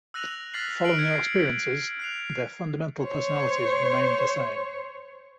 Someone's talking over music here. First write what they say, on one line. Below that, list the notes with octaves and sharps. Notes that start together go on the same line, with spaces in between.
Following their experiences, their fundamental personalities remained the same.
E6 F#6 A#6 D#7 F7 F#7
F6 F#6 A6 B6 C7 F#7
F6 C7 D7 F#7
G#6 C#7
F#6 C7 F7
C5 C#5